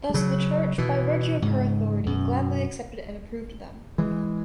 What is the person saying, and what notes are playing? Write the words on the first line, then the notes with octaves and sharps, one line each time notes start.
Thus the Church, by virtue of her authority, gladly accepted and approved them.
G#3
C#3 F#3
B2 E3
G#2 C#3
F#2 B2
E3 G#3